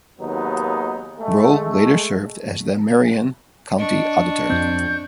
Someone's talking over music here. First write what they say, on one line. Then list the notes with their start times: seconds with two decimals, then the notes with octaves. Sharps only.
Breaux later served as the Marion County Auditor.
0.20 G#1 D#2 F#3 B3 D#4
1.20 G#3 A3
3.78 D4 D#5 C#6
4.50 F2 C4 G6